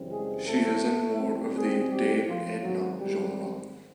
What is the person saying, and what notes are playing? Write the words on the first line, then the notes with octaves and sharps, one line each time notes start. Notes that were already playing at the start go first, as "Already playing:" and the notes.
She is in more of the Dame Edna genre.
Already playing: F#2 C#3 E3 G3 C4
G#3 G#4
A3 A4
E2 B2 G3 C4
G#3 G#4
G3 G4
F3 F4
G#2 D#3 F#3 G#3 C4 F#4
G3 G4